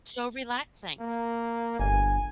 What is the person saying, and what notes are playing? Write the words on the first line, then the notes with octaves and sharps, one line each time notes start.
so relaxing.
A#3
G1 G#5